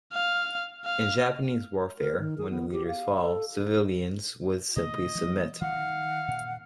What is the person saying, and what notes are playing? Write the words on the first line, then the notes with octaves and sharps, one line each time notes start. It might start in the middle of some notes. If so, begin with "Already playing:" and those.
In Japanese warfare, when the leaders fall, civilians would simply submit.
F5
F5
A#4
D#3
G#4
B3
G4
F5
A4
A#2 D#3 A3 D#5
E3 G3 B3
D#3 F5 F#5
A#2